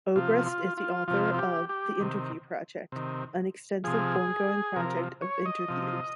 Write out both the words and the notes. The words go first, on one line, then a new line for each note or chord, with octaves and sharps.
Obrist is the author of "The Interview Project", an extensive ongoing project of interviews.
C3 F3 F4
F4
F4
C3 F3 F4
F4
G4
G4
C3 D#3
C3 D#3
C3 F3 G#4
C3 F3 A#4
C#5
D#5
C3 F3